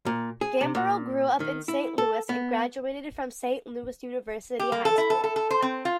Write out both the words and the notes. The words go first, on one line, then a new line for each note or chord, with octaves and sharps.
Gambaro grew up in Saint Louis and graduated from Saint Louis University High School.
A#2
G#4
C3
A#2
D#3
E4
A4
B3
G4
A#3
A4
E4
A4
A4
A4
C5
C4
F4